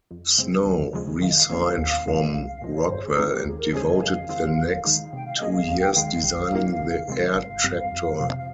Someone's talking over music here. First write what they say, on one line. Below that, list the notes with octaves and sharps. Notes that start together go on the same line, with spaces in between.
Snow resigned from Rockwell and devoted the next two years designing the Air Tractor.
F2
C#3 G#3 C4
D#2
C#3 F3 G#3
D#3 F5
D#5
F5
A#3 C#4
D#2
C#3 G#3
C2 F5
F5
A#2 F3 D#5
C#5
A#4
G2 C5
G#4
D#3 G#3 C4 D#4 F4
G4
D#2 G#4
A#4
C#3 G#3 C#4 G#4 C5
D#5
F2 F5
D#3 G#3 C4 F4
D#2
D#3 G#3 D#4
C3 G5
F5
G3 A#3 C#4 G#4 D#5
F5
D#2 F5
G5
D#3 G#3 F5
A#1
A#2 F3 A#3 D#4
C#2
C3 D#3 G#3 C4
G#1 F5
G2 G3 C4
F2
C3 F3 C4
F5